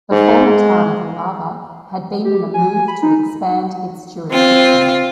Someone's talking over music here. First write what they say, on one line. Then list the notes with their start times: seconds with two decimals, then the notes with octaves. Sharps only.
The former town of Alava had been in a move to expand its jurisdiction.
0.12 G#2
0.47 G#3
2.25 G4
2.54 G#5
2.88 B5
3.02 D#4
4.32 C4 F4